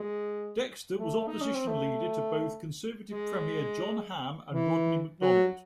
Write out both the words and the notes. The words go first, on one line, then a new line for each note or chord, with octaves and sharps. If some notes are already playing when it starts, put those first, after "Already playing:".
Dexter was Opposition Leader to both Conservative Premier John Hamm and Rodney MacDonald.
Already playing: G#3
A3
D#4
C#4
C4
A3
G#3
E3
F#3